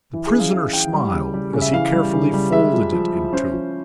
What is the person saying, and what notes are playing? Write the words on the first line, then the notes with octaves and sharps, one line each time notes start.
The prisoner smiled as he carefully folded it in two.
E3
G#4
C#4
F5
E3 F5
E3 G5
G3
C#3
G3
C#3
E5
E3 F5
G3
C#3
G3
G#3 E5
F3
F3
E4
C#4 C5
F3